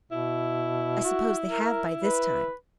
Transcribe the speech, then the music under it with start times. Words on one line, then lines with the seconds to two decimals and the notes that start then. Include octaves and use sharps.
"I suppose they have by this time."
0.11 B2 E4
1.04 F#4
1.48 A#4
2.04 B4